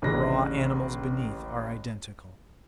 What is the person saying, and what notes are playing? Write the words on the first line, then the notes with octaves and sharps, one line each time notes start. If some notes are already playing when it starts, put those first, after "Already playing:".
The raw animals beneath are identical.
A1 D#2 C#3 D4 A#6